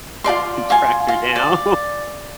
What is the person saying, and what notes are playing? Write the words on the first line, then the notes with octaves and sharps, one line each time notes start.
tracked her down
F4 A4 D5 C6
F4 G#5
F4
D5